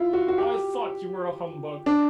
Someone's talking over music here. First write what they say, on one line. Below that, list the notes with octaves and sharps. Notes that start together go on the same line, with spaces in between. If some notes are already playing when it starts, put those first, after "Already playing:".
I thought you were a humbug!
Already playing: E4 F4
F#4
F#4
G4
D4